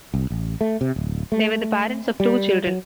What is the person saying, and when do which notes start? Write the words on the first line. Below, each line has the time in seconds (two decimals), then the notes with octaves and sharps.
They were the parents of two children.
0.14 C2
0.30 A1
0.61 A3
0.81 C3
0.96 D1
1.32 A3
2.20 G3
2.67 F#3